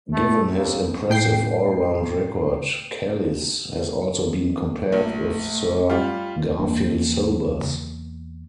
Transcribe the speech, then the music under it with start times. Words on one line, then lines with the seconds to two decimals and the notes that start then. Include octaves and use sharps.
Given his impressive all-round record, Kallis has also been compared with Sir Garfield Sobers.
0.13 A3
0.54 D#2
1.10 A2 G5 C7
4.92 A#1 A3
5.90 G3 F4 F5
6.59 E2 A#3 D4